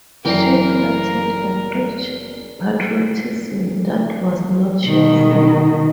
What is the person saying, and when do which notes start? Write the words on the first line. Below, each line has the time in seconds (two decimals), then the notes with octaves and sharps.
She flattered a French patriotism that was not shameful.
0.25 F#1 E3 A#4 D5 G5 C7
4.86 B2 D#3